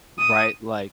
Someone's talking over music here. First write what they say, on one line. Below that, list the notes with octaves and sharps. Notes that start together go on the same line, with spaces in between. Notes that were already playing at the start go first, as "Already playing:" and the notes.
Right? Like
D#6